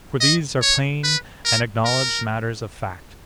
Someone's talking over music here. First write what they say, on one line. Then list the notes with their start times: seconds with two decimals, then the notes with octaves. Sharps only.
For these are plain and acknowledged matters of fact.
0.21 D#5
0.62 C#5
1.04 B4
1.45 A#4
1.85 A#4